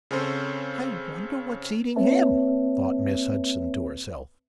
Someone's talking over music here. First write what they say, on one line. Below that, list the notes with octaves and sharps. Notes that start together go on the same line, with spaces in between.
"I wonder what's eating him," thought Miss Hudson to herself.
C#3 C4 C#4 A4 C5
A#3 C4 B4 C#5 E5 A5